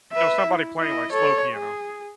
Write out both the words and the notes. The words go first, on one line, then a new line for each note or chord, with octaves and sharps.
know, somebody playing, like, slow piano.
B4 E5
E4
E4 D#5
A4 C#5
G#4